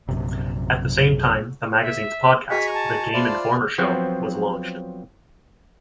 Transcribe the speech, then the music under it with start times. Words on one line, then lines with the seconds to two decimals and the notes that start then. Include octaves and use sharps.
At the same time, the magazine's podcast, "The Game Informer Show", was launched.
0.09 A#1 F#2 C3
1.81 E5
2.50 F#4 G#4 D#5 G#5 A#5 C#6 B6
2.74 A5
3.14 F4 C5 D5 E5 B5
3.78 F3 F#3 B3 C4